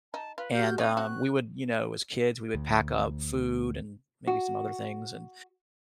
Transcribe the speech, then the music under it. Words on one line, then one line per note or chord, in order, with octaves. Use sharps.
And, um, we would, you know, as kids, we would pack up food and maybe some other things and
D#4 A5
F4 B4
F#4 G4 F6 G6
C4 D#4 D5 C#6
C4 F#4 F#5 F#6
D2
F#4